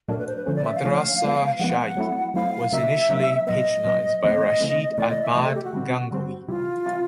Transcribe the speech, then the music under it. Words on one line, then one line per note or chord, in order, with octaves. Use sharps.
Madrasa Shahi was initially patronized by Rashid Ahmad Gangohi.
A#2 F#3 A3 D4 A#4
B4
C5
B4
D3 F3 A3 C#4 C5
D5
E5
F5
D3 F3 A3 C#4
F3 G#3 B3
F3 G#3 B3 F#5
F#3 A3 C4 E4
F#3 A3 C4 E4 F5
C#3 F#3 A#3 D#4 E5
C#3 F#3 A#3 D#4
A#2 F#3 B3 D#5
A#2 F#3 B3
C#3 E3 A3 C4 D#5
C#3 E3 A3 C4
C3 E3 A3 D5
D#5
E5
C3 E3 A3 D#5
A4
G4
F#4
D3 G3 C4
D3 G3 C4
C3 E3 G3 F4
C3 E3 G3